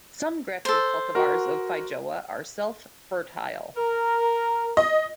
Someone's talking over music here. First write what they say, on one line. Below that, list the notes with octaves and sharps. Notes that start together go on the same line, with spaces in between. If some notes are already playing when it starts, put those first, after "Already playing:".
Some grafted cultivars of feijoa are self-fertile.
A4 C5
F#4 A#4
A#4
D#5